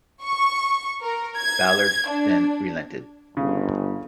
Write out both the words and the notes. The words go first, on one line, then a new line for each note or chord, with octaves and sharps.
Ballard then relented.
C#6
A#4
G#6
D4
G1 C#3